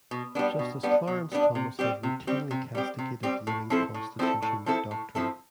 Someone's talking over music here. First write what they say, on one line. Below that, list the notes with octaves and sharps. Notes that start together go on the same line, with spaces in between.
Justice Clarence Thomas has routinely castigated "living Constitution" doctrine.
B2
G3 B3 D4
B2
G3 B3 D4
B2
G3 B3 D4
C3
G3 C4 G4
C3
G3 C4 G4
C3
G3 C4 G4
C3
G3 C4 G4
A2
F3 C4 E4 A4
A2
F3 C4 E4 A4
A2
F3 C4 E4 A4
A2
F3 C4 E4 A4